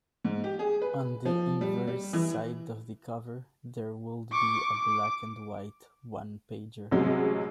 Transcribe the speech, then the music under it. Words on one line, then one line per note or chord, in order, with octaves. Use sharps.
On the inverse side of the cover, there would be a black-and-white One-Pager.
G#2
G4
G#4
B4
F3
G3
G3
E3
C#6 D6
D6
A1 C3 F#3 G#3